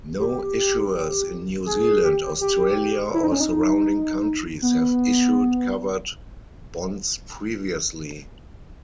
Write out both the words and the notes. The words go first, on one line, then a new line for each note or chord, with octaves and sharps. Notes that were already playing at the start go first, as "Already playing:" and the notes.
No issuers in New Zealand, Australia or surrounding countries have issued covered bonds previously.
G4
G#4
G4
G4
E4
D#4
C#4
D#4
B3